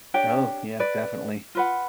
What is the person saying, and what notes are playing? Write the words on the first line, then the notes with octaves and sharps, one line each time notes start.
Oh, yeah, definitely
D4 G4 C#5 G5
B4 D5
F4 B4 F#5